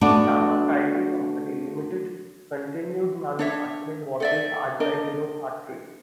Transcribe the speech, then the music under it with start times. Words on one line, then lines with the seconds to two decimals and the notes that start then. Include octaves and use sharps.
Tama Keiki Company, Limited continued manufacturing watches at the Hino Factory.
0.01 G3 A3 B3 D4 F#4
3.39 D4 C#5 E5
4.20 A4 D5 E5
4.80 D4 A#4 D#5